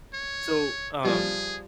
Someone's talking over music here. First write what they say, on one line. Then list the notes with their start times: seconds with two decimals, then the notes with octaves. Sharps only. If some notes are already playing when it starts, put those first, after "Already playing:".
so, um,
0.14 C#5
1.05 F3 G3 G#4